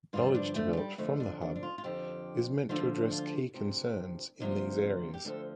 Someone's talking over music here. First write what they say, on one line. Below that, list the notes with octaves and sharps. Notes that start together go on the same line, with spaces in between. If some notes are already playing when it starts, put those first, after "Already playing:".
Knowledge developed from the Hub is meant to address key concerns in these areas.
G2 D3 F3 F4
D4
A3
A3
G3
F2 D3 F3 A3
D4
D4
D4
F4
F4
F2 D3 F3 G4
D2 D3 F3 F4
F4
D2 C3 F3
D2 C3 F3
G4
D2 D3 F3 A4